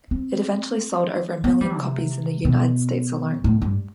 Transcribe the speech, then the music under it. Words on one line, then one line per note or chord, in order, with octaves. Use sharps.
It eventually sold over a million copies in the United States alone.
C4
B3
G3
C3
B2
A2
G2